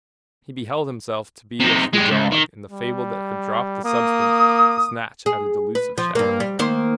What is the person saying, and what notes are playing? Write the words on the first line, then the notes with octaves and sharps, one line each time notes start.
He beheld himself to be as the dog in the fable that had dropped the substance to snatch at a delusive shadow.
C3 D#4
G#3 G4
C#2
D#3
G3
A#3 D#6
G#4
B4
F3
G2 A#3
G3
D#3 A#3 C5